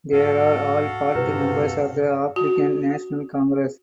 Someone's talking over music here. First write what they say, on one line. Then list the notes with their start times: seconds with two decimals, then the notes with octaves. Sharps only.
They are all party members of the African National Congress.
0.12 G#2 F#4 A4 F5
1.15 G2 C3 E4 G4 B4
2.36 F#4